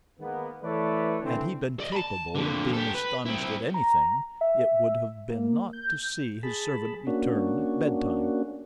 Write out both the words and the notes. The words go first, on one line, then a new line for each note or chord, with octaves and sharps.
Had he been capable of being astonished at anything, it would have been not to see his servant return at bedtime.
D#3 G#3 A#3 B3
E3 A3 A4 B4 C#5 D5
D3 E3 A3 C4
D5 D#5
A5 B5
F2 D3
G4 A4
B4
C4 E4
A#5
E5
A#3
G6
G#4 A5 B5
A#3 C#4 D4 F#4